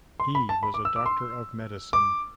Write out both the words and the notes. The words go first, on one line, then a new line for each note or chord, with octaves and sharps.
He was a doctor of medicine.
C6
B5
A5
B5
D6
E6
D6
C6
D6